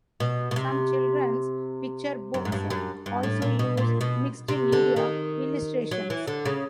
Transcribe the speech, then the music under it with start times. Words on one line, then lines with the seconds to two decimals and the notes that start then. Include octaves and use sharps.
Some children's picture books also use mixed media illustrations.
0.20 B2
0.51 B2
0.56 C3
2.34 F#2
2.45 G#2
2.52 G2
2.70 F#2
3.06 G2
3.23 A2
3.42 A#2
3.59 B2
3.77 A#2
4.01 B2
4.48 C3
4.72 D3
4.96 D#3
5.91 F#3
6.10 E3
6.28 D3
6.46 C#3